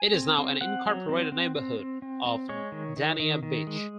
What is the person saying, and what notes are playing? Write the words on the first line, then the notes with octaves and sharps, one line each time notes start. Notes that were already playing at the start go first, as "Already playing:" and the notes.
It is now an incorporated neighborhood of Dania Beach.
Already playing: G#5
C4
C4
C4 F#5
F#3
C4
C4
C4
C4
C4
C4
G#3 C#5
D#3
D#3
D#3
D#3
G#3